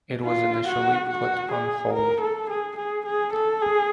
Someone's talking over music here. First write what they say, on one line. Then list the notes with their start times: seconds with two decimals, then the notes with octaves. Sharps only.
It was initially put on hold.
0.25 F4
0.68 F#4
1.09 F#4
1.52 G#4
1.94 A#4
2.21 A4
2.50 G#4
2.77 G#4
3.06 G#4
3.34 A4
3.62 G#4